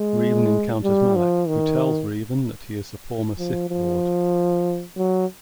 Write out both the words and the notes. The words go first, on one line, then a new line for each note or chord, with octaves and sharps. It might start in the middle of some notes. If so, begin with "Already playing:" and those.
Revan encounters Malak, who tells Revan that he is the former Sith lord.
Already playing: G#3
G3
F3
D#3
F3
F3
F#3